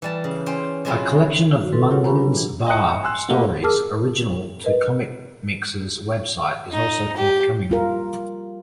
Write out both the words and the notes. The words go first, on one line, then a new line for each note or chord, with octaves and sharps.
A collection of "Munden's Bar" stories original to Comicmix's website is also forthcoming.
E3 G3 A5
C#3
C#4 C5 G5
C3 F#3 G#3 C#4 E4 F4
D#3 F#4
G3 A4 B4 C6 A6
F4 G4 A#4 C#5 F#5
G#5 A#5 B5 C#6
F#3 G3 D4
A#2 E3
D#5 E5 G5 D#6 F#6 C#7
G#5 C6 E6 F#6
A3 A#3 G4 D#5 F5 F#5
G#4 A#4 A5 D6 E6 F6
A#4 B4 D#5
D#4
G4
G3 F4 A#4